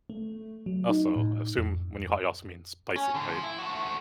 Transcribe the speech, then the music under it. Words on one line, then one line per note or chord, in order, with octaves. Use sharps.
Also, I assume when you hot, you also mean spicy, right?
A3
F#3
D#4
A2
F2
C#4
A2 D3
F3
E4
A3 F#4